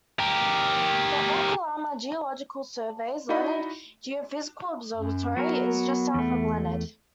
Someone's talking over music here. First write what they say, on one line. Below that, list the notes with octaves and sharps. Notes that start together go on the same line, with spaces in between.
The Oklahoma Geological Survey's Leonard Geophysical Observatory is just south of Leonard.
G4 A#4
D#4 E4 F#4 D5 D#5 B5
F#2
F#3 B3 F#4 A#4
E2 A3